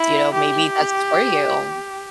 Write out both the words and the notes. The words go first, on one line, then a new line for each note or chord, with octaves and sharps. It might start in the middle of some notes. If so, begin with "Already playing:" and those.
you know, maybe that's for you.
Already playing: E4
G4